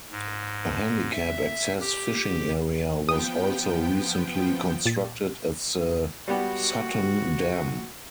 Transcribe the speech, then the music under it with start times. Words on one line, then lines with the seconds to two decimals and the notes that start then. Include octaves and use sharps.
A handicap-access fishing area was also recently constructed at the Sutton Dam.
0.12 G#2
1.11 E5
1.81 G4
3.09 F3 B3 G5 D#6
4.86 A#2 A6
6.28 G3 B3 F#4 G4